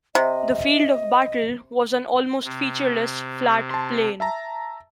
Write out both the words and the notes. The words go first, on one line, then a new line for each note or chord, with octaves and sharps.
The field of battle was an almost featureless, flat plain.
C3 D#5
C3
A5 C6
E5 A5 A#5